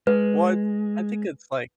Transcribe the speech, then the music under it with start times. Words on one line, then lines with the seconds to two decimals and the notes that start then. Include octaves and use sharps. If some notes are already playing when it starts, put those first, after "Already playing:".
Well it's I think it's, like
0.07 G#3 B4